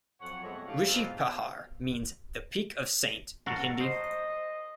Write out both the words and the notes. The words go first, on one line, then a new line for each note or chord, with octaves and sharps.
Rishi Pahar means 'The Peak of Saint' in Hindi.
F2 F#3 C#5 F#5
F2 B2 G#3 A3 C#5 F#5
A2 F3 D4 G4 F5
G#2 B2 F#3 C4 F4
F#4 A4 A#4
C5 D#5